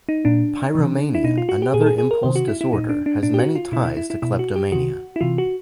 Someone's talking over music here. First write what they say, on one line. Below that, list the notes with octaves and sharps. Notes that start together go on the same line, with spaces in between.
Pyromania, another impulse disorder, has many ties to kleptomania.
D#4
A#2 D4
C3 E3
E4
B2 D#4
F4
F#4
G4
A#2 G#4
A4
G#4
G#4
A#4
C3 D#3 C5
F#4
E4
E4
A#2 D#4
D4
D4
A#2 D4
G4
F#4
F4
B2 E4
E4
E4
E4
B2 E4
F#4
G4
C3 D#3 F#4
E4
C3 E3 F4
F#4